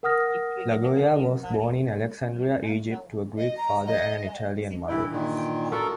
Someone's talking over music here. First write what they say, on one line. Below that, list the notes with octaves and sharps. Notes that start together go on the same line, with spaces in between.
Lagoya was born in Alexandria, Egypt, to a Greek father and an Italian mother.
A#4 F#5 D#6 F6 A#6
D#5
A#5
D#5
G2 E3 E4 G5
A#2 D#3
G5
B3 F4 F#4 A4 A#4